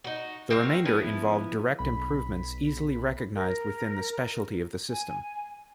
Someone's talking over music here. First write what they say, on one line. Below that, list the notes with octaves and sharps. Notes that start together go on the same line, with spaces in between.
The remainder involved direct improvements easily recognized within the specialty of the system.
D#4 F#4
C4 F#4 A#4 F5
F3 B3 E4
B1 B5
A#4
G#5